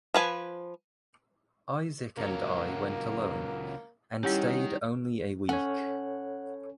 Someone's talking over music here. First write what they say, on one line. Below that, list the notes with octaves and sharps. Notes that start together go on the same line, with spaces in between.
Isaac and I went alone, and stayed only a week.
F3 B4 G#5
C#2 F#3 A#3
D#3 G3 C#4 E4 G4 C#5 F#5
C#4 A4 C#5 F#5